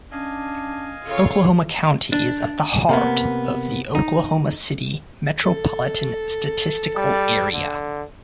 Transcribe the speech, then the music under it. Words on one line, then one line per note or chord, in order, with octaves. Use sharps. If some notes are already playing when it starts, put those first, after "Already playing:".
Oklahoma County is at the heart of the Oklahoma City Metropolitan Statistical Area.
C#4 D4 D#5 F5 G#5
C#3 F4 A4 C#5
D4
C3 A#3 B3
D#4
A4
G3
D3